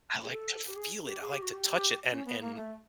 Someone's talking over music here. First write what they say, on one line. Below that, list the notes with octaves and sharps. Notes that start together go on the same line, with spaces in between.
I like to feel it, I like to touch it, and and
G#4
A4
G4
G#4
G4
G#4
G4
F#4
G4
C#4
B3
A#3
A3